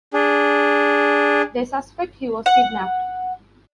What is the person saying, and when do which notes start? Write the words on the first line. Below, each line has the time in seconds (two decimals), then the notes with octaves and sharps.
They suspect he was kidnapped.
0.13 D4 G#4
2.46 F#5